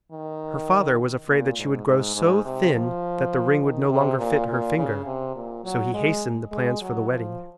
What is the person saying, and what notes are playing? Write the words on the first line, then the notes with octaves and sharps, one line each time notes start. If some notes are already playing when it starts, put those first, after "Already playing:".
Her father was afraid that she would grow so thin that the ring would no longer fit her finger, so he hastened the plans for the wedding.
D#3
A#2
G#2
G#2
G#2
C3
F3
D#3
C3
A#2
A#2
C#3
C3
A#2
F#3
G#3
G#3
F#3
F3